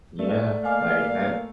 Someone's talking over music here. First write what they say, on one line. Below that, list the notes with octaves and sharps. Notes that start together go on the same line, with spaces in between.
Yeah. Like, I
A3 D5
A#3 D#5 F5 G#5 D6